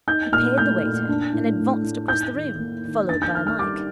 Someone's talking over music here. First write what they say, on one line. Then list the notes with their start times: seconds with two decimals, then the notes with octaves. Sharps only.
He paid the waiter, and advanced across the room, followed by Mike.
0.07 D#4 G6
0.32 A#2 F6
0.58 A3 G6
0.83 A#2
1.08 D4
1.33 A2
1.58 A3
1.84 A2
2.08 D#4 G6
2.33 D#3
2.59 A#3
2.85 D#3
3.09 D4 A6
3.22 G6
3.35 D#3 F6
3.47 F6
3.59 G3 D6